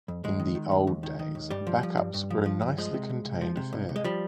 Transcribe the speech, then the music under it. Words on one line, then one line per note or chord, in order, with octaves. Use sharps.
In the "old days", backups were a nicely contained affair.
F2
D#2 G#3
D#3
D#3
D#2
D#2
D#3
D#3
D#2
G2 G3
F3
F3
G2
G2
F3
F3
G2
F3 G#3
C3
C2
C2
F3
C3
C2
C2
G#3
F3 G3